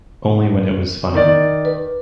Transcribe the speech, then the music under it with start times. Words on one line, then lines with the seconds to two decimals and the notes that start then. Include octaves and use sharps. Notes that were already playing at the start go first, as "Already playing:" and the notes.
Only when it was "funny"!
1.15 D#3 D5
1.65 B4